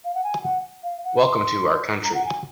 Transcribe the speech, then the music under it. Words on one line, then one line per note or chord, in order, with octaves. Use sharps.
Welcome to our country.
F5
F#5
G#5
F#5
F5
F#5
C6
A#5
F#5
G#5